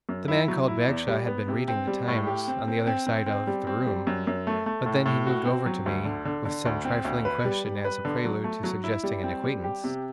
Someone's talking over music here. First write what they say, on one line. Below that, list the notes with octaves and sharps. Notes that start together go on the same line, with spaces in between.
The man called Bagshawe had been reading The Times on the other side of the room, but then he moved over to me with some trifling question as a prelude to suggesting an acquaintance.
F#2
E4
F#3
E4
E2
G3
B3
C3
C4
G3
A2
G4
C4
C4
C4
C4
C4
G3
C4
G3
F#2
F#2
A3
A3
A2
A2
F#4
C4
F#3
D2
D3
D3
D3
D2
C4
D2
B4
G3
G3
B4
D3
F#3
A3
F#3
E4
G3
C4
G3
G4
C3